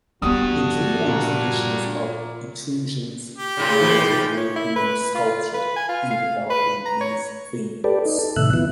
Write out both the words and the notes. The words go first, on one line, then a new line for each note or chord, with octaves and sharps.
He drew on traditions of Etruscan and Northern European sculpture in developing these themes.
F3 B3 D4 F#4 G4 D#6
A#2
G4
A2 C#3
G#2 E3 F3
C#5
E4
B4
F4
B4
G#5
F4
F5
B4
A#5
C#5
G4 A4 B4 D5
D#4
A4
A2 C3 D#3 E5 F#6
D#3 F3 B3 E4